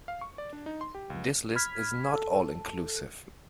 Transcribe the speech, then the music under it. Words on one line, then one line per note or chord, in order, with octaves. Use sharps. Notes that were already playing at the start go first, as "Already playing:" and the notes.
This list is not all inclusive.
F5
C#6
D5
D4
D#4
C6
G4
C#2
B5 F6 G#6 B6
A4